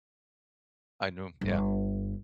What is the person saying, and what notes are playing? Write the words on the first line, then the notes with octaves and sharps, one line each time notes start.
I do, yeah.
G1